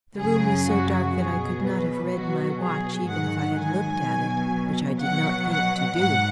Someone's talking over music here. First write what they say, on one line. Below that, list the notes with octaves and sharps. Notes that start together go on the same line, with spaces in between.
The room was so dark that I could not have read my watch, even if I had looked at it, which I did not think to do.
F#2 C#3 F#3 G#4
F#4
B2 F#3 G#4
B4
B2 F#3 F#4
G#4
G#2 D#3 F#3 F#5
G#5
B2 F#3
B2 F#3 F#5
F#5
G#2 F#3 F#5